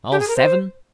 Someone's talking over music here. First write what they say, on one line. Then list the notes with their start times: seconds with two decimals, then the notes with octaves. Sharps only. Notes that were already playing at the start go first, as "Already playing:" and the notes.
"All seven?"
0.11 G4
0.19 G#4
0.28 A#4
0.36 C5